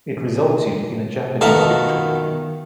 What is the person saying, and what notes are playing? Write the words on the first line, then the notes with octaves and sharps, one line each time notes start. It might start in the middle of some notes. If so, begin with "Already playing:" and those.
It resulted in a Japanese victory.
B2 D#3 F4 A4 E5 A5 A#5